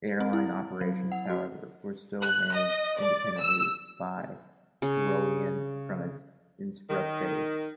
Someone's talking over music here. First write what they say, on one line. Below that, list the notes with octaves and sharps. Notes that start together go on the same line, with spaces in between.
Airline operations, however, were still managed independently by Tyrolean from its Innsbruck base.
C4
E4
F#3
F#5
F#4
F#6
D#5
D5
E6
C#3
D#3